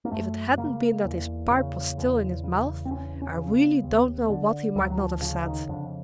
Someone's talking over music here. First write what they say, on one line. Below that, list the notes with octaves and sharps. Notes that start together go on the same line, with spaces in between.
If it hadn't been that his pipe was still in his mouth, I really don't know what he might not have said!
A#3
F#2 A3
C#3 A#3
E2
C#3
E2
C#3
C4
E2 C#4
C#4
C#3
B3
D#2
D3
D2 F#3
F#3
F3
C#3 F3
D#3
F2 D3